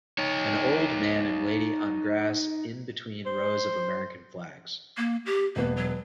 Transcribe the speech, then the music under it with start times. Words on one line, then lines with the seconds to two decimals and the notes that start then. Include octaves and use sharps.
An old man and lady on grass in between rows of American flags.
0.18 D#4 C#5
3.26 C5
4.98 A#3
5.26 G4
5.56 E1 A#3 B3
5.76 F#3